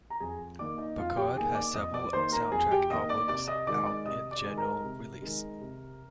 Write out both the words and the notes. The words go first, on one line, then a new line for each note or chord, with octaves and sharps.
Burkhard has several soundtrack albums out in general release.
A#5
F2 G#4 G#5
D#3 A#3 D5 D6
D#4 D#5
F2 F4 F5
G4 G5
D#3 A#3 G#4 G#5
D5 D6
F2 D#5 D#6
D5 D6
D#3 A#3 C5 C6
A#4 A#5
F2 G#4 G#5
G4 G5
D#3 A#3 D#5 D#6
D5 D6
C3 D5 D6
D#5 D#6
D#3 G#3 D5 D6
D5 D6
C3 D#5 D#6
D5 D6
D#3 G#3
A#4 A#5
C3
D#3 G#3
C3